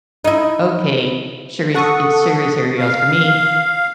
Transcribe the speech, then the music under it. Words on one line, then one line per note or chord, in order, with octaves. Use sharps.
"Okay, sugary ce sugary cereal's for me."
D#4 E4
A4 F#5 C#6 D#6
F5